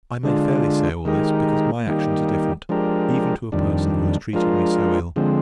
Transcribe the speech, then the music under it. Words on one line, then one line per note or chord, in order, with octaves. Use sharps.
I may fairly say all this; because my actions are different, even to a person who has treated me so ill.
D3 G#3 D4 F4
D#3 G#3 D#4 G4 A#4
D#3 G3 A#3 D#4 G4
F3 G#3 D4 G4 A#4
F2 D#3 G3 D4
F3 G#3 D4 F4 A#4
D3 F3 G#3 C4